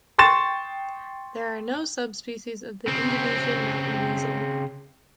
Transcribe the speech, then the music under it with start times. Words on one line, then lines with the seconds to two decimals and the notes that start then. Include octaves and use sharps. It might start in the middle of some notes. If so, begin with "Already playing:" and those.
There are no subspecies of the Indonesian mountain weasel.
0.18 G5 C6 C#6 A6 E7
2.88 C#3 C4